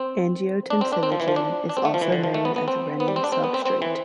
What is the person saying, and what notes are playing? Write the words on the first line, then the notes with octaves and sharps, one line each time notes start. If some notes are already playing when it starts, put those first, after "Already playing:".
Angiotensinogen is also known as renin substrate.
Already playing: C4
D4
C4
D4
C4
F3
E3
F3
D4
D4
C4
A3
F3
E3
D3
F3
A3
B3
B3
C4
B3
G3
C4
D4
C4
B3
C4
C4
E3